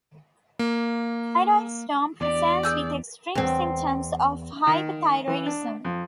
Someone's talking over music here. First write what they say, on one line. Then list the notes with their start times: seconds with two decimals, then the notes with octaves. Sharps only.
Thyroid storm presents with extreme symptoms of hyperthyroidism.
0.59 A#3
2.21 E2 D4 G4 D5
2.63 G#4 E6 G6
3.35 E2 C4
4.67 D#3
5.28 E3
5.46 D4
5.85 F2